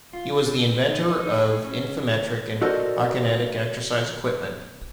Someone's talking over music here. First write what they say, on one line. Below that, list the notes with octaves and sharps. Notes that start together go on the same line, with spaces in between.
He was the inventor of infimetric and akinetic exercise equipment.
F4
C4
D#4
D#4
G#4
C#4
E3
F#4 A4 A#4 C5 D5 D#5